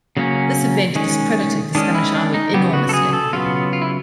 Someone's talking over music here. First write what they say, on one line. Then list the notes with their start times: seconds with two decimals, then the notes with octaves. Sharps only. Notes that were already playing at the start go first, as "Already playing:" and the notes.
This event discredited the Spanish army enormously.
0.17 C#3 F#3 A#3 C#4
0.95 D#3 G#3 C#4
1.75 D#3 G#3 C#4 D4
1.95 E4
2.15 D4
2.34 D#4
2.54 C#3 F#3 B3 G4
2.73 F#4
2.89 A4
2.94 G#4
3.13 A4
3.33 C#3 F#3 B3 F4
3.73 F4
3.82 E4